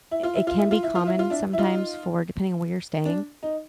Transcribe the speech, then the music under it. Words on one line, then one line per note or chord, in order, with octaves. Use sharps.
it can be common sometimes for depending on where you're staying,
E4
F4
E4
F4
E4
F4
E4
F4
E4
F4
D4 E4
E4
D#4 F4
D4
D#4